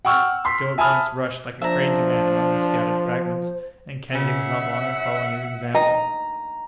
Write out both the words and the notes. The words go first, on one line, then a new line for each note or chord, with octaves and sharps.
Joe at once rushed like a crazy man among the scattered fragments, and Kennedy was not long in following his example.
F#5 G5 C#6 E6 F6
C6 B6
E5 G#5 A5 B5 D#6 F6
F3 D4 C5 E5 A#5
C#3 C#4 E5 F#5
D#5 A#5